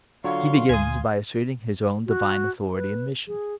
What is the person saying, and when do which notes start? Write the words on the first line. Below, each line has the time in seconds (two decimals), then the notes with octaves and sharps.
He begins by asserting His own Divine authority and mission.
0.24 D3 F#3 F4 F5 C6 C#6
0.69 D2 G#5 D#6 G#6
2.06 F#4
2.74 B4
3.28 G#4